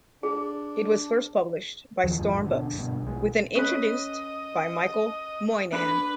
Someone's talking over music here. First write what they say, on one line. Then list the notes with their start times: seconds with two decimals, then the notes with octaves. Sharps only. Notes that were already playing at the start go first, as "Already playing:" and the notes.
It was first published by Storm Books with an introduced by Michael Moynihan.
0.23 D4 G#4
2.04 E2 D#3 F3 F#3
2.17 A1 F2 G#2 F3
2.44 B2 D3
2.73 G2 B2
3.02 B1 G#3
3.55 C#4 B4 D#5
5.72 D4 B4